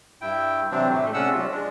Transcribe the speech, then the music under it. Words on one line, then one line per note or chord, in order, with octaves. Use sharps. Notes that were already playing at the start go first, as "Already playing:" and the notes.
instead of
G2 E4 G5
C3 E3 F#3 C4 D4
A2 A3
C3 C#4 D4 F#5 E6
F4
G#3 D4